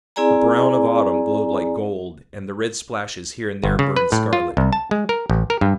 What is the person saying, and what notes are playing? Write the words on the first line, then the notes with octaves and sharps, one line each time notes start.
The brown of autumn glowed like gold, and the red splashes here and there burned scarlet.
C4 E4 G#4 D5 G#5 A#5
G1
C#3
B4
A2
F4
C2
A5
G#3
A#4
A1
A#4
G2